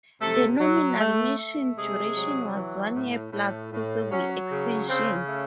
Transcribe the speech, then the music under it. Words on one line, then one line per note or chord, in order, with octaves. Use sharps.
The nominal mission duration was one year plus possible extensions.
C3 A3 A4
F#3
A3
A3
C3 G#3 G#4
F#3
E3
A2
A2
A2
F#3 C#4
C#3
C#3 C4
A3